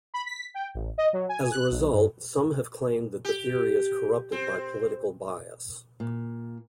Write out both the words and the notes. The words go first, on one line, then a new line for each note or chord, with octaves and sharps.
As a result, some have claimed that the theory is corrupted by political bias.
B5
B6
G5
A1
D#5
F#3
G#5
F#6
B1
G2
G4
C4
A#2